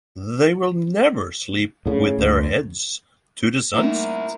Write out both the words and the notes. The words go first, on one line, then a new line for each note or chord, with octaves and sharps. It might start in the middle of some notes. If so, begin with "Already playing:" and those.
They will never sleep with their heads to the sunset.
A2 C#3
D2
A3 A#3 D#4 E4 A#4